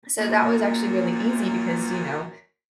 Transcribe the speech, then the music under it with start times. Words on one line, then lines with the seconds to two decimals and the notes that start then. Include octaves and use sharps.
so that was actually really easy because, you know,
0.18 F#2 A#2 A#3